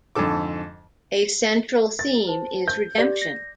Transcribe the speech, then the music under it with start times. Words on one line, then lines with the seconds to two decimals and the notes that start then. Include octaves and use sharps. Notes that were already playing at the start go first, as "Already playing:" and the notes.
A central theme is redemption.
0.15 F2 G#2 D3 A4 D6
1.99 A6
2.27 C5 A5
2.68 G6
2.98 G4 D5
3.22 A#6